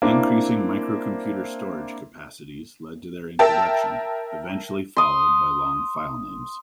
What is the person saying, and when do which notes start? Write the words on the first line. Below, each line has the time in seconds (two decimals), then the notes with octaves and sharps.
Increasing microcomputer storage capacities led to their introduction, eventually followed by long filenames.
0.02 A#3 C4 D4 E4
3.39 A#4 E5 G5 A5
4.97 C6 D#6